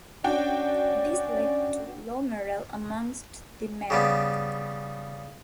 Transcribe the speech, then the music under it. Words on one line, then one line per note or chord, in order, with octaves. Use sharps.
This led to low morale amongst the men.
C#4 D4 F#4 D5 G5
C#3 G3 B3